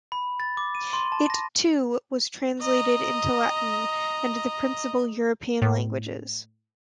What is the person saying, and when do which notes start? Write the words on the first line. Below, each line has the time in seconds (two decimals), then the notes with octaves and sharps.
It, too, was translated into Latin and the principal European languages.
0.12 B5
0.40 A6
0.57 D6
0.75 D#7
0.93 C6
1.12 A5
1.30 A#6
2.61 D#5 A#5
5.62 A2